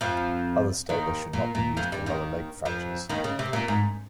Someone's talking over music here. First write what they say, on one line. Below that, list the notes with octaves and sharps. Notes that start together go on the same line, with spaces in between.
Others state they should not be used for lower leg fractures.
F2 F3
D#2 D#3
A#2
A#2
F2 F3
G2 G3
D#2 D#3
F2 F3
D#2 D#3
C#3
C3
A#2
G#2